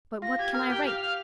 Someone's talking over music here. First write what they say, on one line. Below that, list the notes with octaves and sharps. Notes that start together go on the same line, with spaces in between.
But what can I write?
F4 A#6
G4 G#6
A#4 F6
G4 G5
G4 F5
F5